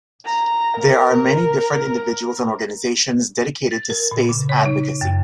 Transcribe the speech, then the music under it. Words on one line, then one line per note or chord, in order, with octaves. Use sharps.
There are many different individuals and organizations dedicated to space advocacy.
A#5
A#4
A6
A#4
A#2
C#3
C#5
D#4
F#2